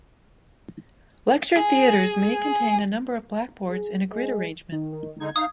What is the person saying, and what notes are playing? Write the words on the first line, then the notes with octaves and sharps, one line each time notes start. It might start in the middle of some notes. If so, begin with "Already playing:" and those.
Lecture theatres may contain a number of blackboards in a grid arrangement.
G#4
G#4
G#3
D#3
D#3
D3 G#3 D#4 G#6
D#4 F5 D#6